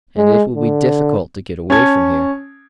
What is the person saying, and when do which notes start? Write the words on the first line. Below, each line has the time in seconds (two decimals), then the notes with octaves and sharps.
And it will be difficult to get away from here.
0.17 G#3
0.56 D3
1.70 C#4 A5 G#6